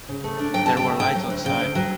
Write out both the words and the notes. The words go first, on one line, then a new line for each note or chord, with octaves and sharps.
There were lights outside.
C#3
A3
D4
F#3 G5
C#3 A5
G5
A3
D2 G5
F#3
D2
C#3 G5
D2
F#3